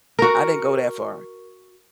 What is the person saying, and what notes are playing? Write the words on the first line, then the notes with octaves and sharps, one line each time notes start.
I didn't go that far.
F#4 A#4